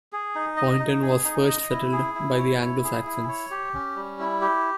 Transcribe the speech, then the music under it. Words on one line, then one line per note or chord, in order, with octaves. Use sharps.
Poynton was first settled by the Anglo-Saxons.
G#4
D#4
D#5
D#4
G#4
D#4
D#5
E4
G#4
E4
C#5
E4
G#4
E4
C#5
G4
C#4
G3
E4
G4